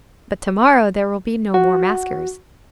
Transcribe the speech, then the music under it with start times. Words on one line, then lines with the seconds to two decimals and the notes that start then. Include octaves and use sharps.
But to-morrow, there will be no more maskers.
1.54 F#4